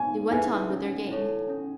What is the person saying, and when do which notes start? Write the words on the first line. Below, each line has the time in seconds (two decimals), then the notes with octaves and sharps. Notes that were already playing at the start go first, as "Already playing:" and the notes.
They went on with their game.
Already playing: B3 G#5
0.31 E4 G#4 B4 E5 G#5
0.70 C#4
1.09 E4 A4 C#5
1.49 C#4